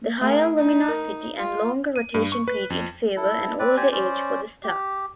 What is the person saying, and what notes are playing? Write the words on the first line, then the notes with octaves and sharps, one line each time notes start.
The higher luminosity and longer rotation period favour an older age for the star.
A3 G#4 A#4
D#4
A#4
F4
D#7
G2
C#6
B4
F2
E4 A4
C4 B4 D5
G4 C5 D5 G#5
C#4 C5 D5
G4